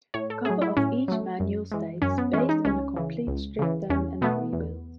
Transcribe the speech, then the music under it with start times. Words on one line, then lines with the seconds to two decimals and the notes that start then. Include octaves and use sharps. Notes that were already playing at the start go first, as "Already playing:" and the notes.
The cover of each manual states: "based on a complete stripdown and rebuild".
0.14 A2 C#5
0.30 A4
0.45 F#3 A3 G#4
0.62 E4
0.77 A2 C#4
1.08 F#3 A3
1.40 F#2
1.72 E3 G#3
2.02 F#2 C#4
2.18 B3
2.33 E3 G#3 C#4
2.49 D#4
2.65 C#2 C#4
2.96 C#3 E3
3.27 C#2
3.59 C#3 E3
3.90 E2 C#4
4.21 B2 A3 B3
4.53 E2